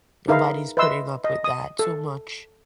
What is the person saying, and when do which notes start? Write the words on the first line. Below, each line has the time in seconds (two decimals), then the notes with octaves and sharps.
Nobody's putting up with that too much.
0.28 D#4 G#4 A#4 B4 E5 F5
0.77 B4 D#5 E5 C6 E6
1.24 D#5
1.44 D#6
1.79 A4